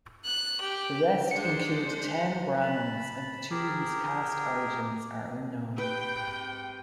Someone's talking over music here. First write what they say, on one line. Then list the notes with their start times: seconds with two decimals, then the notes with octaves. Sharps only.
The rest include ten Brahmins and two whose caste origins are unknown.
0.25 F#6
0.61 G4
1.31 G#3 D4 C5 C#7
2.62 A5 B5
3.51 G4 G#4 A#4
5.78 G#2 C3 B4 G5